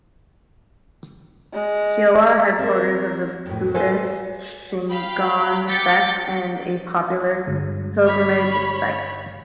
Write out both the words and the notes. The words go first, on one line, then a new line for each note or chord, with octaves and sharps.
Koya, headquarters of the Buddhist Shingon sect and a popular pilgrimage site.
G#3
C4 A#4
F2 A2
A4 B4 C5 D#5 F5 G#5
F5 G5 B5
G5 D6 G6 A6 B6 C#7
G2 D3 G#3
C#5 B5